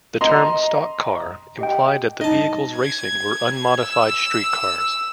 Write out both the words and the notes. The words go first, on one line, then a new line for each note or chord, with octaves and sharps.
The term "stock car" implied that the vehicles racing were unmodified street cars.
D#5 A#5 C6
G4 D#5 G5
D#4 D#5 A5
G#6
E6